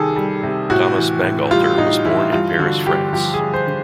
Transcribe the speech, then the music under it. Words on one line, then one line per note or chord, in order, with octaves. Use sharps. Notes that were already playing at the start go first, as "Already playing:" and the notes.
Thomas Bangalter was born in Paris, France.
Already playing: C2 C3 D#3 G#4 A4
G3
C3
A2 F#4
E3
A2
G3 F4
A2 D#4
E3 E4
G2 F4
D3 F#4
G2 G4
F3 G4
G#4
G2
C5
D3